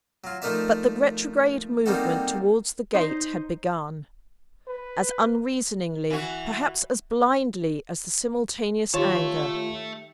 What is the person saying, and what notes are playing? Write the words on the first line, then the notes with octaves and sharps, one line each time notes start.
But the retrograde movement towards the gate had begun--as unreasoningly, perhaps as blindly, as the simultaneous anger.
F#3 F4
F3 A3 D#4 A#4 D5 E5
G3 A#3 C4 D#4 F#4 A4
D#4 C5
B4
E3 F#4
D#3 F4 G4 C#5 E5 A5